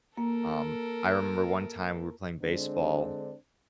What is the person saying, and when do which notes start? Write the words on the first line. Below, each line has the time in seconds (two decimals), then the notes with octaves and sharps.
um, I remember one time we were playing baseball,
0.17 A#3 A4 A#4
2.42 D3 G#3 C4 D4